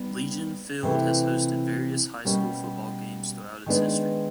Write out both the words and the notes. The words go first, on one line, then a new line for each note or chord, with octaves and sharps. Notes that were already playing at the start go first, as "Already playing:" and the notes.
Legion Field has hosted various high school football games throughout its history.
Already playing: G3 B3 D#4
C3 E3 A3
B2 G3 A#3 C#4
D#3 G#3 B3 D4